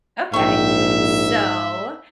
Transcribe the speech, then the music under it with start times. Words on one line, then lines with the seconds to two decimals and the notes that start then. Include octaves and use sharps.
Okay. So,
0.34 A#1 G#2 E5 G5 C#6